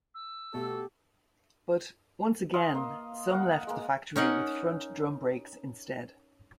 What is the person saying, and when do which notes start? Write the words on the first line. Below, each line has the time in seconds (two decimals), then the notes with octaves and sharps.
But, once again, some left the factory with front drum brakes instead.
0.15 E6
0.54 B2 A3 G4 A4
2.53 E5 F5 C6 D#6
2.74 A#3 D#5 C6
3.30 A#4 D#5 F5 F#5
3.67 G#3 A#3
4.16 C#4 D#4 A#4 F#5